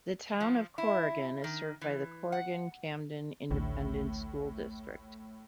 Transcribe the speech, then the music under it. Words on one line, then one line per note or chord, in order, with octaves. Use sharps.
The Town of Corrigan is served by the Corrigan-Camden Independent School District.
F3
E4
D#3
E3
F#5
A1 D2 A2